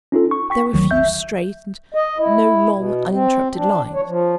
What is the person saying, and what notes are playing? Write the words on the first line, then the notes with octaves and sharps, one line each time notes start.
There were few straight, and no long uninterrupted lines.
C#4 D#4 F4 A4
C#6
G5 C#6 B6
D2 D#3 F#3
G1 E5 G6
D#5
E4
B2
C4
D4
C#5
F3